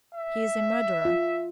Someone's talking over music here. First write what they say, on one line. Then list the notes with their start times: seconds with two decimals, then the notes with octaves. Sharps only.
He is a murderer.
0.15 E5
1.05 F4